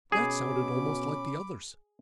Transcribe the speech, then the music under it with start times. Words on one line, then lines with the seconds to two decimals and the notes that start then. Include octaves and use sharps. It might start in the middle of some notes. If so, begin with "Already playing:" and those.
That sounded almost like the others.
0.12 B2 C#4 G#4 B5 D6